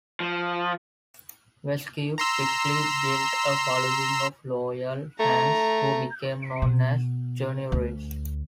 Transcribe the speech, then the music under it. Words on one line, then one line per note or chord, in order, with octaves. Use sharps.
Vasquez quickly built a following of loyal fans who became known as "Juniorites".
F3
A#5 C6 E6
A3 A#5
B2
D2